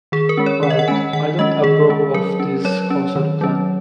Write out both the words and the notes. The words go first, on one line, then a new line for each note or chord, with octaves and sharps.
But I don’t approve of this concert plan.
D#3 G#4
A#4
G#3 C#4
C#5
D#3 F#5
D#5
F#5
G#3 C#4 G#5
D#3 F#5
G#3 C#4 D#5
D#3 G#4
G#3 C#4
F#3 A#4
C#4
F#3 C#5
C#4
D#3
F#3 C#4